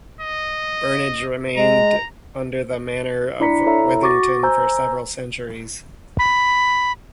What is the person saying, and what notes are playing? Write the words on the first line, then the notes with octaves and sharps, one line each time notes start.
Burnage remained under the manor of Withington for several centuries.
D#5
G#3 A#5
D4 E4 D5 A#5 B6 C#7
E4 A4 C#5 E5 A#5
F#4 C#6 D6 A6 A#6
C5 G#5 A#5 E6 G6
B5